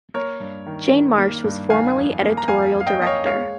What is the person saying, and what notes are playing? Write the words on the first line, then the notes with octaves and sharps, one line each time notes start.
Jane Marsh was formerly editorial director.
A#3 A#4 C#5
G2
D#3
D#3
A#3
G2
D#3 F5 G#5
F2
A#3
A#5
F2 F5 G#5
F2
F5
D#5 G5
A#3 D#5
C#5 F5
G#3 C#5 F5